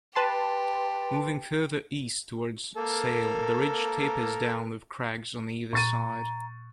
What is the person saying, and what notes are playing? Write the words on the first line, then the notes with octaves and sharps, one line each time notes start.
Moving further east towards Sail, the ridge tapers down with crags on either side.
G4 B4 A5 C6
A#3 A4 A#4
A#2 A#5 C#6 A6 D#7